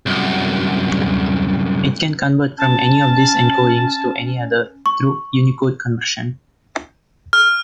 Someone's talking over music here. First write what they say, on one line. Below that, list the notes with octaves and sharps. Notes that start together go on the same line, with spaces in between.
It can convert from any of these encodings to any other, through Unicode conversion.
C2 F#2
C#4 A5
C#6
F6